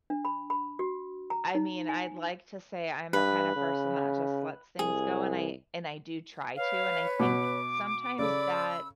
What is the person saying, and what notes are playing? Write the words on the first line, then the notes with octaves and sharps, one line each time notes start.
I mean, I'd like to say I'm the kind of person that just lets things go, and I and I do try to, and I think sometimes that
D4
B5
B5
F#4
A#5
D#4
G#5
G2 B4
C#3
C2 G#4
B4 C#5 F5
B2 F#4 D6
C#3 A4 D5 B5 E6